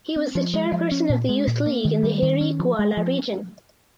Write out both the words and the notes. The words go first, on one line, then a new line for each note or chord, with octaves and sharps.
He was chairperson of the youth league in the Harry Gwala Region.
C4
F3
G#3
F3
C#4
A#2
G#3
A#2
A#3
D#3
G3
D#3
C#4
F3
G#3
F3